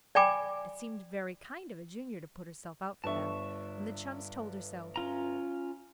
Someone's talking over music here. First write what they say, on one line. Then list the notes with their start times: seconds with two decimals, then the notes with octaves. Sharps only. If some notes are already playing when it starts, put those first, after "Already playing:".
It seemed very kind of a Junior to put herself out for them, and the chums told her so.
0.15 D5 G5 G#5 B5 D6
3.04 G1 D4 E5 A5 C#6
4.96 C#4 F4 A#5